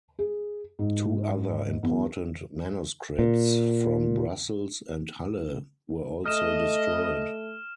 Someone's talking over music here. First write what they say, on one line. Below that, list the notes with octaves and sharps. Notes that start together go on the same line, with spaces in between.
Two other important manuscripts, from Brussels and Halle, were also destroyed.
G#4
G#2
E2
A#2
A3 D#5 F6 E7